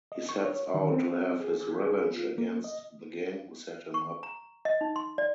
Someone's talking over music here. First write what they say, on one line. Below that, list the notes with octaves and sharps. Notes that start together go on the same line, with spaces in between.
He sets out to have his revenge against the gang who set him up.
D#5
C#6
C#5
D#3
C4
G#4
G#4
F4
A#3
D#5
C#6
A#5
D#5
D#4
C6
D5